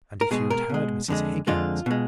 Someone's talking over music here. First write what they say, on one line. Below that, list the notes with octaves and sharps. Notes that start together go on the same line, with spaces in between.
And if you had heard Mrs. Higgins!
A#4
B2 G#3 G#4
A#4
B2 G#3
F2 D3 G#3
F2 D3 G#3 F4
B2 G#3